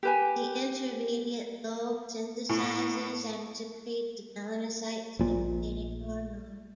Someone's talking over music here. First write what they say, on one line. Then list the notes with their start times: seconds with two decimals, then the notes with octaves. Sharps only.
The intermediate lobe synthesizes and secretes melanocyte-stimulating hormone.
0.03 G4 B4 G#5
2.49 A2
5.19 A#1 A#2